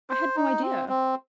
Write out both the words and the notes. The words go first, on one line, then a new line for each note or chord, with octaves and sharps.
I had no idea.
C5
D#4
C4
C4